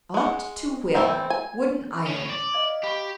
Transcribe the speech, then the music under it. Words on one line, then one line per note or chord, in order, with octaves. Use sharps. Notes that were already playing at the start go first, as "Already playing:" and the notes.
"Ought to will!"--wooden iron!
G#3 F#5
E3 G3 A3 C4 E4
G#5
A2 C#4
C#5 D5
D#5 F5 G#6
G4 B5 C#6